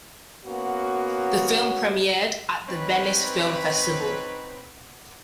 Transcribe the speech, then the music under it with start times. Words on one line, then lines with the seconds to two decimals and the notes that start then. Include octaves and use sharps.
The film premiered at the Venice Film Festival.
0.45 A#3 B3 C#4 F#4
2.69 C4 C#4 D#4 B4 C#5